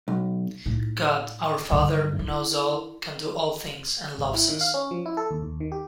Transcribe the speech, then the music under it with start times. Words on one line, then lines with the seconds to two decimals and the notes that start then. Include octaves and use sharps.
God, our father, knows all, can do all things, and loves us.
0.08 B1
0.66 A2 D#4
1.71 G2 D3
2.19 E4
4.18 G#1
4.34 E4
4.49 D#3
4.61 F5
4.74 C#4
4.91 F3
5.06 E4
5.17 A4
5.31 D#2
5.42 D#2
5.60 D#3
5.72 G4